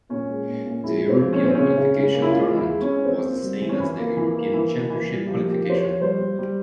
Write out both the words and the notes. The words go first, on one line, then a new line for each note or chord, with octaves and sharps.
The European qualification tournament was the same as the European Championship Qualification.
A#2 C#4
G#3
A#2
A#2
G#3 E4
G#3
C4
F3
C#4
A#2
C4
C#3 C#4
C#3
C#3
A#3
E4
G#3 F4
E3
E4
G#3
C#4
G#3
E3 C4
A#3
G3
E3
C#4
E3 E4
A#3
E3
A#3
E3
A#3
E3
G3
F3 G4
A#3
G4
F3
C5
C#5
F3
G3 C5
G3
G3